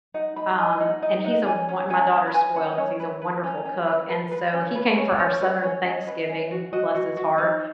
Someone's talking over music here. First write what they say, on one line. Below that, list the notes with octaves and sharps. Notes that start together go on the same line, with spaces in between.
um, and he's a wo my daughter's spoiled because he's a wonderful cook, and so he came for our southern Thanksgiving, bless his heart,
D#4 F#5
D#4 B5
D#4 G#5
D#5
D#4 F#5
D#4 D#5
D#4 F#5
C#4 G#5
C#4
C#4 G#5
C#4
B5
B4 G#5
C#4 F#5
D#5
C#4 C#5
C#4 B4
B4
C#4
C#4
B4
B4
B4
C#4
B4
C#4 C#5
C#4 C#5
F#4 B4
C#4 C#5
C#4 D#5
B4
C#4
F#4
F#4 D#5
F#4
F#4
D#4